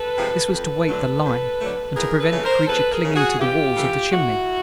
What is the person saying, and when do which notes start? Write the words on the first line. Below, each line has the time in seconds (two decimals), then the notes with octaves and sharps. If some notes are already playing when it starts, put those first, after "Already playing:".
This was to weight the line and to prevent the creature clinging to the walls of the chimney.
Already playing: A4 B4
0.17 C3 F3 G#3
0.52 F2 A4 B4
0.88 D3 F#3 A3
1.24 F2
1.60 D3 F#3 A3
1.96 E2 G#4 A#4
2.20 A4 B4
2.32 C#3 E3
2.44 A#4 C5
2.68 E2 A4 B4
2.92 G#4 A#4
3.04 C#3 E3
3.16 F#4 G#4
3.39 E2 F4 G4
3.76 C#3 E3 A3
4.12 E2 E4 F#4